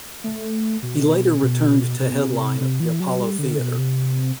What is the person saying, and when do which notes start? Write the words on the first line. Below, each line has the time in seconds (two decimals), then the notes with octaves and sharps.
He later returned to headline at the Apollo Theater.
0.24 A3
0.83 B2
1.42 B2
2.01 C3
2.11 B2
2.21 C3
2.61 C3
2.80 E3
3.00 F#3
3.19 G3
3.39 D3
3.59 B2
3.78 C3